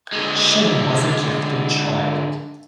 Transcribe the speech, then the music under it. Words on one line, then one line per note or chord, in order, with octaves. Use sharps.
She was a gifted child.
D3 G#3